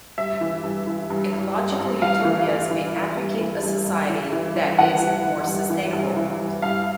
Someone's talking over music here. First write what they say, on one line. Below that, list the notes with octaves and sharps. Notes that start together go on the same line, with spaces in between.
Ecological utopias may advocate a society that is more sustainable.
G2 E5
E3
G2
E3
G2
G2
G2
G2
G2 F5
E3
E3
E3
E3
G2
E3
G2
G2
E3
E3
E3
E3 F#5
G2
E3
G2
E3
G2
E3
G2
G2 F5